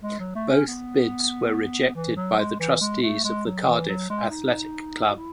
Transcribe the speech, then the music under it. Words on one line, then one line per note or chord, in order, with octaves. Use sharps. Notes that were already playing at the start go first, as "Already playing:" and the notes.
Both bids were rejected by the trustees of the Cardiff Athletic Club.
G#3
F#3
A3
C#4
B3
E3
F#3
G#3
E3
G#3
A3
G#3
F#3
E3
F#3
G#3
D#4
F#4
E4